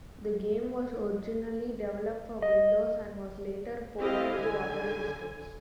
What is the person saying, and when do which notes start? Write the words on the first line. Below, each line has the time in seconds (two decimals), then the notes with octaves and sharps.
The game was originally developed for Windows and was later ported to other systems.
2.42 D#5
3.99 C4 E4 G4 A4 D#5 F5
4.37 D3 G#5